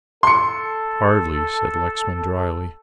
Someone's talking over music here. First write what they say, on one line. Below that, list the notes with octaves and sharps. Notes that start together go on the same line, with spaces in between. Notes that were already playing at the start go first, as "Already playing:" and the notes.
"Hardly," said Lexman, drily.
A4 C6 C#7